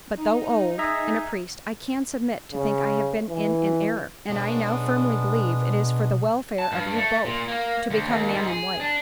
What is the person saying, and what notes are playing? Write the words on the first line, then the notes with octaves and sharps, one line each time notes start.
But though old, and a priest, I can submit to think I have been in an error; and I now firmly believe, it is for the welfare of you both, to become man and wife.
D#4
G#4 E5 A#5
C#3
E3
B2 G#3 B3 D4 C#5
A5
G2
A3
A#2
A#3
D2
D#2
G#2
G#4
D4